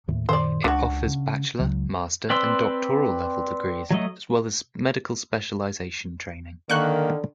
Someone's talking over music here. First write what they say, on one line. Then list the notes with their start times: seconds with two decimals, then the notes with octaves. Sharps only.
It offers bachelor, master, and doctoral-level degrees, as well as medical specialization training.
0.08 D#2 A2
0.29 F#2 A#2 D#3 C5 D5
0.64 C#2 D4 F#4
1.06 C#3
1.59 C#2 C#3 F#3
2.30 C4 B4 D5 C6 E6
3.91 F#3 A3 D#5
6.70 D3 D#3 A#3 C#6 F#6